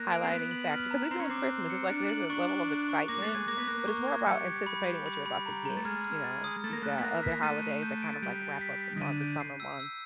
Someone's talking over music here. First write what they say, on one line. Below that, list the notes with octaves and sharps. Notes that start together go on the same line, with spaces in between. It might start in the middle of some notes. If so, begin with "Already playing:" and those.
highlighting factor 'cause even with Christmas, it's like there's a level of excitement, but it's more about anticipating what you're about to get, you know, you've got other holidays that kind of like, wrap up the month, the summer months.
Already playing: A#3 F#6
D7
C4
B3 F#6
F#7
F6
A#5
C4 A#5
C#4
C4 D6
F#6
C#7
D4 C#7
F#7
D4 C#6
C#6
F#6
C#6
A#3 D6
A3
F#6
G#3
A#3 D6
B3
A#3 F#6
C#6
G#6
G3 C#7
G#6
B5
B5
B5
B5
A#5
A#5
A3
G#3 F6
F6
A6
D#6
A3 A6
A#3
A3 F#6
B3
A#3 F#6
B6
A3 D#7
D#7
G6
D7
G3 D7
G6
B6
B6
D#3
D3 D#7
G6
C7
E6
E6